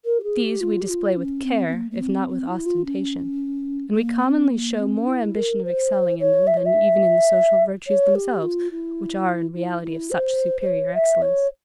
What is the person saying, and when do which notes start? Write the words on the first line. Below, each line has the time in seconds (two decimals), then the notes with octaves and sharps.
These we display with care, if not with ostentation; and we commonly show more ambition of excelling in them, than even in the social virtues themselves, which are, in reality, of such superior excellence.
0.05 A#4
0.20 G4
0.24 G#4
0.43 G4
0.61 F4
0.81 G4
0.89 F4
1.17 C#4
1.44 C4
1.68 C4
1.73 A#3
1.91 A#3
2.01 C4
2.29 C4
2.48 E4
2.66 F4
2.85 C#4
3.96 A#3
4.24 C4
4.52 A#3
4.80 C4
4.98 C#4
5.08 E4
5.36 A#4
5.64 C5
6.20 C#5
6.47 E5
6.57 C#5
6.66 E5
7.87 C#5
8.15 G4
8.43 F4
8.71 E4
9.55 E4
9.83 E4
10.11 C5
10.61 C5
10.67 C#5
10.95 E5
11.22 C#5